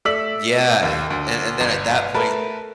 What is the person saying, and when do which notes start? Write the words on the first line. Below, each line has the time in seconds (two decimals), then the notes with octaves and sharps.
Yeah. And and then at that point,
0.05 A3 D5 E6 B6 F#7
0.83 D#2
1.10 D2
1.60 G1
2.14 A3 A#4 B4 A5